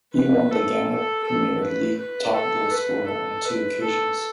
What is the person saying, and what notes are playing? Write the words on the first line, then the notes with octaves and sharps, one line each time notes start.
He won the Ghana Premier League top goal scorer on two occasions.
B4
A4
A4
A4
B4
B4
A4
B4
A4
B4
A4